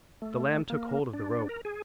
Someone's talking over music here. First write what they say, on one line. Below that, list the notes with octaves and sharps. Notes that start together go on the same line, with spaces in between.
The lamb took hold of the rope.
A3
A#3
D4
A#4
G#4